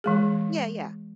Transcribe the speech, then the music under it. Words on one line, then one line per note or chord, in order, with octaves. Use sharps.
Yeah, yeah.
E3 G#3 G#4